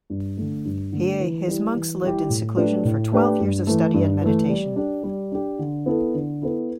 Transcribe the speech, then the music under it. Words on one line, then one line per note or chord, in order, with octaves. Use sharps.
Hiei, his monks lived in seclusion for twelve years of study and meditation.
G2
D3 A3
G2
D3 A3
E3
G3 E4 G4
E3
G3 E4 G4
A2
A3 D4 G4 B4
A2
A3 D4 G4 B4
G2
E3 A3
G2
E3 A3
G3
D4 G4
G3
D4 G4
D3
B3 E4 A4
D3
B3 E4 A4